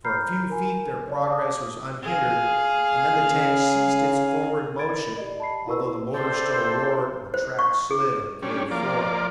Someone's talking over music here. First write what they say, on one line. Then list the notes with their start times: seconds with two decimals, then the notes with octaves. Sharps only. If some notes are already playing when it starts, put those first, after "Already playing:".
For a few feet their progress was unhindered and then the tank ceased its forward motion, although the motor still roared and the track slid on the cave floor.
0.05 A#5 B5 F6 G6 C7
0.49 A#4 G#5
1.08 C#5 D5 A5
1.30 A5 D6 D#6
2.03 G#4 F5
3.32 C#3
4.79 A#4 B5 G#6 A6 D7
5.17 G4 D5 D#5
5.40 A5 B5 C7
5.67 E4 F#4 A#4 B4 C#6 E6
6.14 E4 A4 C5 D5 G5 C6
7.34 C5
7.59 C#6
7.91 G#4
8.42 G3 C#4 D4
8.71 F3 A#3 D5